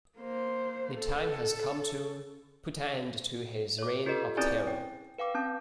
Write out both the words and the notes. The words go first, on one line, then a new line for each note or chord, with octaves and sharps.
The time has come to put an end to his reign of terror.
A#3 C5
A4
C#5 D6
F4 G4 A4 B4 D#5
C4 C#4 E4 G#4 D5 G#5
G5
B4 F5 G5 D6
C4 C#4 A5